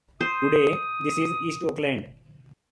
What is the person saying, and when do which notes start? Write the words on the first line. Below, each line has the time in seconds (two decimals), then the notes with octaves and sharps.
Today this is East Oakland.
0.21 C5 D#6